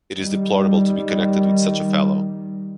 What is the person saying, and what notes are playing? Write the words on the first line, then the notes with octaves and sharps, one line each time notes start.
It is deplorable to be connected with such a fellow.
D#3 G3